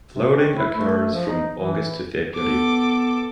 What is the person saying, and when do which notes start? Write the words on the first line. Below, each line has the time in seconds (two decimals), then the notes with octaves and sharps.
Flowering occurs from August to February.
0.14 C3
0.33 D#3
0.57 E4
0.75 A3
1.13 F3
1.27 D#4
1.53 E3
2.36 B3 A4 D6